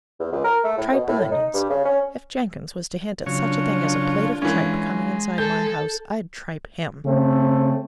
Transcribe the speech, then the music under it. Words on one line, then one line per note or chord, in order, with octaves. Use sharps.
Tripe and onions! If Jenkins was to hint at such a thing as a plate of tripe coming inside my house, I'd tripe him.
E2
C#2
A#4
A3
A2
B2
A2
A2
D#4
G2
C#3
C#4
C#3 F#3 D4 F4 C#5
E3 G#3 C#4
A4 G6
C#3 A3 C4